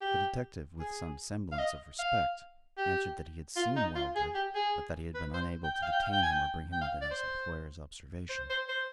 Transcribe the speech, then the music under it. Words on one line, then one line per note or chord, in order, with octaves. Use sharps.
The detective, with some semblance of respect, answered that he had seen Wellgood, but that he had been unable to detain him or bring him within his employer's observation.
G4
G#4
F5
D#5
F5
G4
F4
D#4
F4
G#4
G4
G#4
B4
C5
G5
G5
F5
G5
F5
G5
G#5
G5
G5
F5
D5
C5
C5
C5
C5